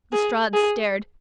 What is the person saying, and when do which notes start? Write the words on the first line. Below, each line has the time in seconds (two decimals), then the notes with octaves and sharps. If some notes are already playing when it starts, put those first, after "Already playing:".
Lestrade stared.
0.13 G#4
0.53 G#4